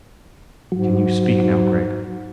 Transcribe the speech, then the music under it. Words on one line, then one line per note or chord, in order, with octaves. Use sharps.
"Can you speak now, Gregg?"
G#2 F#3